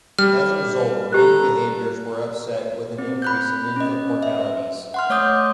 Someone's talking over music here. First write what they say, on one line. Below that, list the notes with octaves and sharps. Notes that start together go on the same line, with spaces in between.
As a result, mating behaviors were upset with an increase in infant mortalities.
G3 F6
G4 A4 A#5 F#6
C4
B5 F#6 G6
C#4 D#5
E5
F#5 C6 F6
A3 C#5 D6 D#6 G6